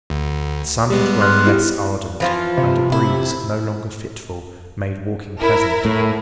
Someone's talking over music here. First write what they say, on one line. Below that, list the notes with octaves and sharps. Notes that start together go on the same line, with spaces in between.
The sun had grown less ardent, and a breeze, no longer fitful, made walking pleasant.
D2
G3 G#3 B3 G4
C6 F6 F#6
E4 G4
E3 F3 F4
C3
E4
E4 A#4
A2